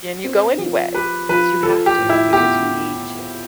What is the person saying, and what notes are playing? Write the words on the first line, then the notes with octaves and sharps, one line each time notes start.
Then you go anyway 'cause you have to, because you need to.
C4
F3
G4 B4
F3 B4
F3 A4
G4
A2
E4
B3 G4